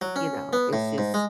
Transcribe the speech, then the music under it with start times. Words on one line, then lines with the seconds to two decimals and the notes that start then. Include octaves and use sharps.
You know, it's just
0.01 F#3
0.16 C#4
0.53 B3
0.73 A2
0.98 G#2
1.14 G#3